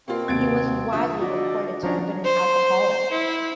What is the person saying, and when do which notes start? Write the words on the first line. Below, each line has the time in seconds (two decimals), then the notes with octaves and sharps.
He was widely reported to have been an alcoholic.
0.08 B2 A#3 C4 F4
0.28 D#2 C3 F5 G#6 A6 D7
0.93 D3 F3 E5 D#6
1.21 F#4 D5 D#5
1.83 E2 F3 C#4 D4 C#5 A#5
2.25 C5
3.11 E4